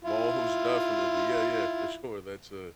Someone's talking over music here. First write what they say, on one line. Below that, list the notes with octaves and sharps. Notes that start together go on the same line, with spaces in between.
Most definitely. Yeah, yeah, for sure. That's a
E4 F4